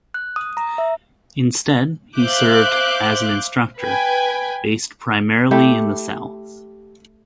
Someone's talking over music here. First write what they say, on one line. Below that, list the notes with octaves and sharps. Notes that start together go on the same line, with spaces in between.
Instead, he served as an instructor, based primarily in the South.
F#6
D#6
A#5
E5
C5 E5 F5 D6 F#6 G6
B4 G5 G#5
A3 E4 G4